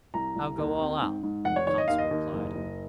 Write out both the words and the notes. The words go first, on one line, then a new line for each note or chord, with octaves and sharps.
"I'll go all out," Conseil replied.
C2 A#5
C2
D#2
C4
G#2
G#2
F1 F#5
C#5
D#3 C#5
D#5
D#2 F5
D#5
D#2
F#1
F#1